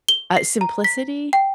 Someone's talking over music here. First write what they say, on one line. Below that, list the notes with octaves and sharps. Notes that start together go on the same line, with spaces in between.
Uh, simplicity?
G7
C7
A#5
B6
G5